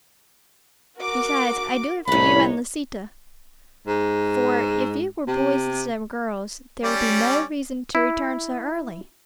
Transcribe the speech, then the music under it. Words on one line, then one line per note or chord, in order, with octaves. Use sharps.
Besides, I do it for you and Lisita, for if you were boys instead of girls, there would be no reason to return so early.
F#4 A#4 D6
C2 A2 D4 D#4 C#5 B5
G#2
C3
G3 C#4 D5
E4